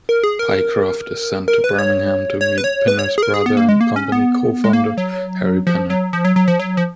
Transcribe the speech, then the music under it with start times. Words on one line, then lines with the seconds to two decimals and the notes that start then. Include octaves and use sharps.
Pycroft is sent to Birmingham to meet Pinner's brother and company co-founder, Harry Pinner.
0.09 A#4
0.24 G#4
0.39 A#4
1.48 A#4
1.64 B4
1.79 C#5
2.41 C#5
2.58 B4
2.64 C#5
2.88 B4
2.99 C#5
3.18 G#4
3.23 A#4
3.34 G#4
3.46 B3
3.57 A#3
3.69 G#3
3.81 A#3
3.96 C#4
4.12 B3
4.64 G#3
4.73 A#3
4.98 F#3
5.67 F3
5.90 F#3
6.13 F3
6.25 F#3
6.36 F#3
6.48 F3
6.59 F#3
6.77 F3